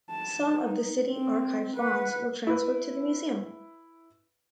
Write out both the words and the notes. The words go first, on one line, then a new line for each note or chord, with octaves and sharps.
Some of the city archive fonds were transferred to the museum.
A5
D#4
C4
B4 F#5
E4 B4